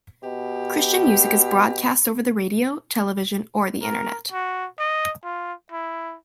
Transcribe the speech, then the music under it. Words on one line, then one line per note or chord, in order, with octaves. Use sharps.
Christian music is broadcast over the radio, television, or the Internet.
B2 G4
A#4
F#4
D#5
F4
E4